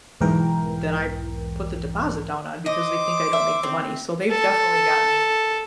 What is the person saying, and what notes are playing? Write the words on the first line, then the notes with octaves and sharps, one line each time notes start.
that I put the deposit down on because they think I don't make the money. So they've definitely gotten,
B1 E2 G#2 E3 A#4 G5
C5 D#5 D6
E5
C4
A4